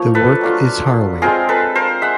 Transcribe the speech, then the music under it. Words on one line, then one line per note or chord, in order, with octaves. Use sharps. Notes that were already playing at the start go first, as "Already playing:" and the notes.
The work is harrowing.
Already playing: F3 A#3 D#4 C#5
A4 B4
F#3 A3 D4 F4
G#3 C4 F4 G#4 A#4
A4 B4
A#4 C5
G#3 E5 F#5